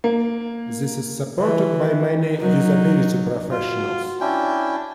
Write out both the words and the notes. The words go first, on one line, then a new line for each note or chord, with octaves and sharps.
This is supported by many usability professionals.
A#3
E3
F#3 D#4
F4 F#4
C#4 D4 E4 G5